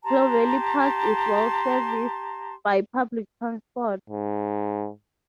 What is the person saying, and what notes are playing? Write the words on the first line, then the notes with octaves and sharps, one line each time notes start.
Clovelly Park is well serviced by public transport.
G4 A5 A#5 C6
G#2